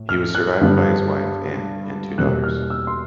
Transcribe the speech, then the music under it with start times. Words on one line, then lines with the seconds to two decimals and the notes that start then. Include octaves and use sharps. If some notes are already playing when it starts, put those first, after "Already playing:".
He was survived by his wife, Anne, and two daughters.
Already playing: A2
0.09 F6
0.35 F#6
0.61 G2 D3 G3 B3
2.18 E2 B2 G3 A#3 F#6
2.44 F6
2.70 E6
2.87 C6